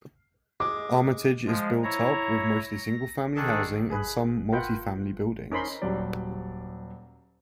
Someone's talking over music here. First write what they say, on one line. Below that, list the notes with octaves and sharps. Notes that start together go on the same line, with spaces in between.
Armatage is built up with mostly single-family housing and some multifamily buildings.
G#3 D6
F3 G#3
E4 C#5 A#5
A#6
D#3 D4 G#4 A4
G#4 B4
F4 A#4 B4 F#5 G5
C#4 D#4 A#4 C5 B5 C6
D#1 F#3 G3 D5